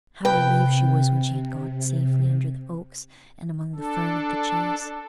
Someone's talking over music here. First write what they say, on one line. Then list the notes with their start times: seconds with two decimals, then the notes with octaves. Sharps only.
How relieved she was when she had got safely under the oaks and among the fern of the Chase!
0.25 C3 B4 G5
3.76 D4 A4